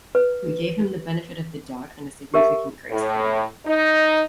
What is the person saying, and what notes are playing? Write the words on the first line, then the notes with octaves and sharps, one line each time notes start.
We gave him the benefit of the doubt, and a significant grace period.
B4
G4 A#4 E5
A2
D#4